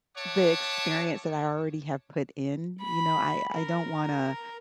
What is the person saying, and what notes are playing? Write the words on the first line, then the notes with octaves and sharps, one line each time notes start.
the experience that I already have put in, you know, I I don't wanna,
C#5 E5 F#5 A5 D6
B5
A#4